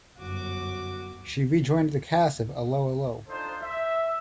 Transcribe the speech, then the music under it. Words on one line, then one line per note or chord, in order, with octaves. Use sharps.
She rejoined the cast of 'Allo 'Allo!
G1 F#2 F#4 D6
D4 D#4 F4 A4 C5
E5